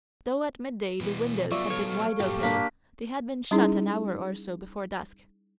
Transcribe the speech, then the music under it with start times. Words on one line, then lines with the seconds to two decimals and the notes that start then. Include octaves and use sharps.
Though at midday the windows had been wide open, they had been shut an hour or so before dusk.
1.01 B2 E3 B3
1.52 F#3 G3 B3 F4 D5 E5 C#6
1.70 A4 C#5 F5
2.20 G2 A#2 F#3 G4
2.43 A#3 D4 B6
3.51 G3 C#4 D#4 E4 G#4